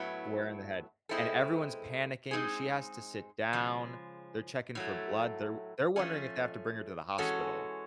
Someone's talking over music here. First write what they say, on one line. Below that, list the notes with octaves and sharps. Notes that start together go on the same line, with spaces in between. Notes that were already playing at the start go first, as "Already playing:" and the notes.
Square in the head. And everyone's panicking, she has to sit down, they're checking for blood, they're w they're wondering if they have to bring her to the hospital.
Already playing: A2 F#3 B3 E4
B2 G#3 C4 E4 A4
G#3 C4 D#4 G#4
C#3 F3 G#3
A2 F#3 A3
F3 A3 C#4
E3 G#3 C#4 F#4 A4